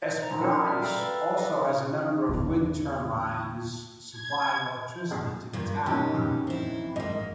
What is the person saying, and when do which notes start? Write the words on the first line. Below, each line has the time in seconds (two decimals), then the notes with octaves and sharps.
Esperance also has a number of wind turbines supplying electricity to the town.
0.19 C5 A#5
0.41 C#4 D4 F4 F#4 A#4 F#5
0.64 A4 D5 E5 G5 F6
0.82 F5 G5 A#5 B5 E6 A6
0.98 B4
1.34 G4 A4 B4 D5 D#5
2.29 E2 D3
4.11 G#6
5.53 G2 D#3 F4
5.86 B2 A#3 C#4 D#4 G4
6.47 C4 E4
6.96 G#2 A#3 D#5